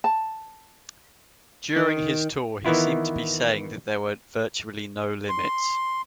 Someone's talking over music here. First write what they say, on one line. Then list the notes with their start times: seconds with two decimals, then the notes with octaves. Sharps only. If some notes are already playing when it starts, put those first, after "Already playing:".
During his tour, he seemed to be saying that there were virtually no limits.
0.04 A5
1.76 D#3
2.65 D#3 E3 B3 E4 F4
5.29 C6